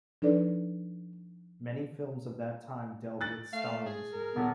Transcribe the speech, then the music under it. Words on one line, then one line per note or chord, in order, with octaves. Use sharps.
Many films of that time dealt with Stalinism.
F3 D4 D#4 A4 B4 D5
F#6 A6
A3 F5
G#4
A#4
D#1 B3